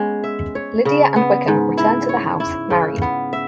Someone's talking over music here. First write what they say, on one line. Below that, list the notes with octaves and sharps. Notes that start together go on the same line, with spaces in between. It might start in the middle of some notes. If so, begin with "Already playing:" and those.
Lydia and Wickham return to the house married.
Already playing: G#3 B3 C#4
E5
C#5
C#3
B3
G#2
E4
C#5
E4
C#3
B3
E5